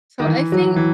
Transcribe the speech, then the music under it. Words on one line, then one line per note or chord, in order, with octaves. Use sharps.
so I think
D#3
E3
F#3
E3